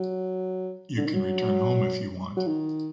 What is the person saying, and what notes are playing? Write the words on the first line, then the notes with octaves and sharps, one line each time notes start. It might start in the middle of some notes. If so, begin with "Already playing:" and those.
You can return home If you want.
Already playing: F#3
D3
D#3
F#3
F#3
D#3